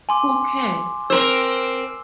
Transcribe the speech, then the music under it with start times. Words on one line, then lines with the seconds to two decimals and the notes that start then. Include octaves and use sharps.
Who cares!
0.09 G#5 C6 D6
1.10 C4 A#4 C5 E6